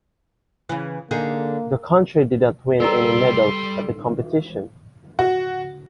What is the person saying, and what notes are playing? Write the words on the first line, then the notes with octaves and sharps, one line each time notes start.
The country did not win any medals at the competition.
C#3 E3
D3 A#3 D#4 G#4
G3 G4 A4 B4 D5 A#5 C6 E6
F#4